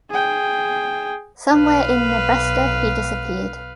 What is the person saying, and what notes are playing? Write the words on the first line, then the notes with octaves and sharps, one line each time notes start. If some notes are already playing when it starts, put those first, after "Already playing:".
Somewhere in Nebraska he disappeared.
G#4 G5
B1 B4 F5